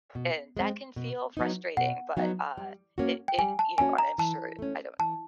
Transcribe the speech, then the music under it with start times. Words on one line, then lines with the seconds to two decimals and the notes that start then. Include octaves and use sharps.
and that can feel frustrating, but, uh, it it you know, and I'm sure I don't
0.15 B2
0.57 G#3 C4
0.96 B2
1.37 F#3 B3 D#4
1.77 B2 F#5
2.17 F#3 B3 D#4
2.57 G3
2.98 A#3 C#4 F#4
3.28 G5
3.38 G3 G#5
3.59 A5
3.78 A#3 C#4 F#4 G#5
3.98 A#5
4.18 E3 A5
4.59 A3 C#4
4.99 E3 A5